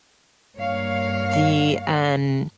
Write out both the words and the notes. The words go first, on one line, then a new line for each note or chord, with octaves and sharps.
the, um,
G2 A#3 C#5 F5